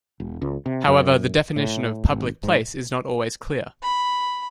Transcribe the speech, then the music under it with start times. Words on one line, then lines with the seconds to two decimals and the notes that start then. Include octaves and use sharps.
However, the definition of "public place" is not always clear.
0.20 E1
0.42 C#2
0.66 C3
0.88 F#2
1.56 A2
2.08 G#1
2.43 G#2
3.83 B5